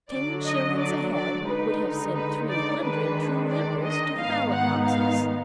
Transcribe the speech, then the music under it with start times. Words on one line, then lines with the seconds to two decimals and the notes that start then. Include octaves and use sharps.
Ten shillings a head would have sent three hundred true Liberals to the ballot-boxes!
0.11 D3 F#3 D4 D5
0.45 D#5
0.78 D5
1.13 D5
1.47 D3 G#3 D#4 B4
2.15 B4
2.48 D5
2.82 D#3 G#3 D4 B4
3.50 D5
3.84 D#5
4.18 G#2 D#3 G#3 B3 D#4 F5
4.52 F#5
4.86 F5